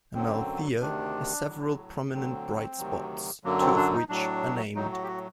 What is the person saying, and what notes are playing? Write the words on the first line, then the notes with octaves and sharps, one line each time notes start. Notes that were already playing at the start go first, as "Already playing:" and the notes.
Amalthea has several prominent bright spots, two of which are named.
F#2 D3 F#3 C4
D2 C3 D#3 D4
A2 F#3
D2 D3 F#3 C4
D2 C3 D#3 F#3
F#2 D3 F#3 A#3
C4
D4
D#4
A2 F#3 D4
A2 F#3 D#4
F#4
G4
F#4